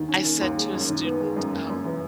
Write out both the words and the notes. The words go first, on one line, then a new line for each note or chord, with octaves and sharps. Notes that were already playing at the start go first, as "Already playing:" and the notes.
I said to a student, um,
Already playing: D#2 D#3
C#4
A#3
D#2
G#3
F#2
D#3
B3
G#3
F#2
A#3
F#2
E3